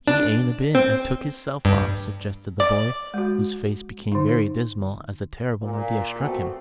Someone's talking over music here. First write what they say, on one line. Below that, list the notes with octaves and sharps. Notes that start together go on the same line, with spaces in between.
"He ain't a been and took hisself off?" suggested the boy, whose face became very dismal as the terrible idea struck him.
D4
C4
G2
D5
G#3 F#4
D3 D#4
A#2
A3 B3 C4 F#4